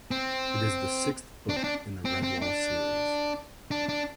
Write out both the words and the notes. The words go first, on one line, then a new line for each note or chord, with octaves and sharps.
It is the sixth book in the "Redwall" series.
C4
D4
C4
D4
C4
C4
D4
D4
D4